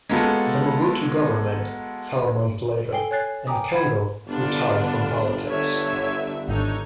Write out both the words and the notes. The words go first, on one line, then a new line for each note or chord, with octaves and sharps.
The Mobutu government fell a month later, and Kengo retired from politics.
G#3 A#3 B3 F4 F#4 A4
A4 G5 G#5 C7 G7
C#5 G#5 F#6 A6 C7
G5 G#5 A#5 D6 D#6
F#5 B5 G#6
G1 D3 B3 D4 F4
D3 C#5 E5
G#1 D4 D#4 A4 C#5